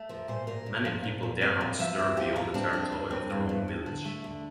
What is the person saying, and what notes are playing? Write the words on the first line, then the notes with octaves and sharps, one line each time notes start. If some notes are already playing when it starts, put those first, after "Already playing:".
Many people dare not stir beyond the territory of their own village.
Already playing: A3
F3 A#4
A#2 C5
A#2 A#4
A#2
F3
A#2
A#2
C4 D5
F3
F3 E5
C4
F3 G4
F3 F4
C4 D4
F3 D4
G2
C4
G2
G2
F2
D3
A3
D3